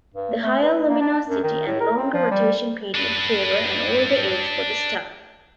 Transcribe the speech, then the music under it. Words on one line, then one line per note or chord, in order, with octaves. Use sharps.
The higher luminosity and longer rotation period favour an older age for the star.
G2
A3
B4
A#3
D4
F#2
D#3
A2
A#4
C4
F3
G3
D4 B4